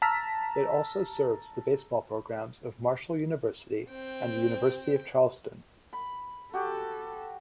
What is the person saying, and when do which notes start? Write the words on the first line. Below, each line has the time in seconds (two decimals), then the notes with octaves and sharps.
It also serves the baseball programs of Marshall University, and the University of Charleston.
0.02 A5 A#5 E6 F6 B6
3.89 C4 G5
5.93 B5
6.53 F#4 G4 A4